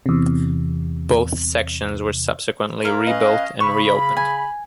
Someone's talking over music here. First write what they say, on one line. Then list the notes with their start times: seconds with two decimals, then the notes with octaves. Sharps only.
Both sections were subsequently rebuilt and reopened.
0.06 E2 C3
2.84 E4 A#4 F5
3.07 C#4 B4 D#5 F5
3.60 C#3 B5 C#6
4.17 G#5